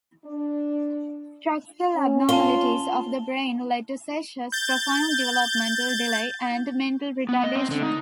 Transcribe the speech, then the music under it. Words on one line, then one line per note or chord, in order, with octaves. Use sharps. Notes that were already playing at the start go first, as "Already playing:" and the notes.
Structural abnormalities of the brain lead to seizures, profound developmental delay, and mental retardation.
D4
C#4
C#4 F4 A5 G7
G6 A6
B3
D#5
C4
D3
D#4